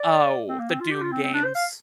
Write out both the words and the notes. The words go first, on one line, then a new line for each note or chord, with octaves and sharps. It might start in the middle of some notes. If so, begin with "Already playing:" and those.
oh, the Doom games.
Already playing: D5
C4
A#3
C4
F4
G4
F4
C4
C4
D4
C5
F5